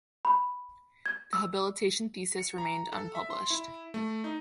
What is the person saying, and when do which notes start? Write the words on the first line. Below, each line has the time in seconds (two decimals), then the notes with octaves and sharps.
The habilitation thesis remained unpublished.
0.25 B5
1.06 G#6
1.33 E6
2.38 C#7
2.58 A#5
2.92 A4
3.15 E5
3.30 C6
3.50 E4
3.94 A3
4.24 D#4